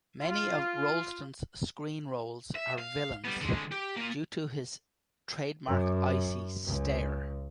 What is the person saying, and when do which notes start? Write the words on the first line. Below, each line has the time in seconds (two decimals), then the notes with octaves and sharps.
Many of Rolston's screen roles are villains due to his trademark icy stare.
0.22 F4
2.56 E5
2.79 F5
3.24 G3 B3
3.41 D3 G#3
3.72 G4
3.97 A#3 F4
5.68 F#2
6.67 C#2